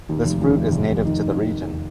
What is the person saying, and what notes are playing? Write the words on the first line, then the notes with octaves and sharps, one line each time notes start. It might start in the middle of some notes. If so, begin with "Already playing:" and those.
This fruit is native to the region.
D#2
F1
D#2
F1
F1
F1
D#3